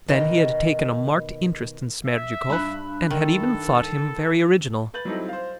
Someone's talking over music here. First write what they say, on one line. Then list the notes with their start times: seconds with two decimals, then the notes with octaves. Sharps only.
Then he had taken a marked interest in Smerdyakov, and had even thought him very original.
0.08 B2 D#3
2.06 E5
2.50 G2 B5 F#6
3.11 D#3 A4
4.94 B4 G6 A6 F#7
5.05 F#3 G3 C4 D#4 E4 A4
5.29 C5 F5